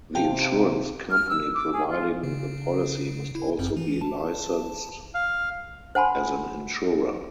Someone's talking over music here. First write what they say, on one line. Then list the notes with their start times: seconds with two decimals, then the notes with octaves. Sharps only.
The insurance company providing the policy must also be licensed as an insurer.
0.15 C3 F5 G5 A5
1.11 F6
1.30 E6
1.55 D6
1.72 G#4
1.90 F4
2.23 C#3
3.35 E4
3.59 G1 F#2 C4
3.77 E3
4.01 A5
5.14 F5
5.95 C5 F#5 G#5 A5 B5 C6